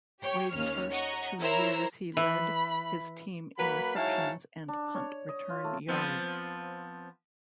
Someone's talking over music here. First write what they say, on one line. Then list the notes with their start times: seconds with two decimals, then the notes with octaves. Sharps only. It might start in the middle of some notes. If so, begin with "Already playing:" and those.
Wades first two years he led his team in receptions and punt return yards.
0.21 G4 C#5 G5
0.51 D#2 C#4 F6
0.91 C#5 D#5 F#5 A#5 C#6
1.40 E4 A#4 C5 C#5 A#5 E6
2.17 E3 B5
3.58 F#3 A#3 B4 B5
3.95 G#2 F#3 E4 C#5 F5 A5
4.68 D4
4.94 C#5
5.29 D#5
5.50 F4
5.64 A3
5.88 F3 B3 C4